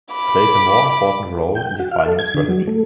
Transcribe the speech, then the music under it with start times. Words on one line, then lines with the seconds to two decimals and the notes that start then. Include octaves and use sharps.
He played a more important role in defining a strategy.
0.14 B5 D6
1.55 G5
1.67 G5
1.80 F#4
1.91 F5
2.06 A4
2.19 G#6
2.34 D3
2.48 F#3
2.67 A3